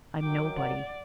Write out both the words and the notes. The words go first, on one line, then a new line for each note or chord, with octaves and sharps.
I'm nobody.
D#3 F#3 G5 D6
D5 F#5